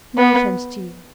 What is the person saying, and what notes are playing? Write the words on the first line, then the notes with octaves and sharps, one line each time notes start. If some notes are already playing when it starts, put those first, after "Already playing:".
No offence to you.
B3